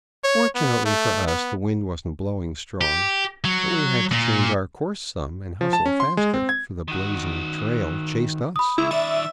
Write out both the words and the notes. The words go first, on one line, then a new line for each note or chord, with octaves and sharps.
Fortunately for us the wind wasn't blowing strong, but we had to change our course some, and hustle faster, for the blazing trail chased us.
C#5
B3
A3
B3
G4
F#3
A#2
F3
A5
C#4
C6
G#3
C4
G#6
D#3 F#4
B5 D#6
C#2 E4
D#3 D5 E5